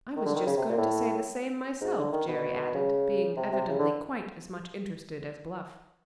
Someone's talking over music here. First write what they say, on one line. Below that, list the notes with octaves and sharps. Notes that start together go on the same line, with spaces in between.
"I was just going to say the same myself," Jerry added, being evidently quite as much interested as Bluff.
D#3
D3
D#3
C#3
C3
A#2
A2
G#2
D3
D#3
B2
C#3
C3
C3
C#3
D3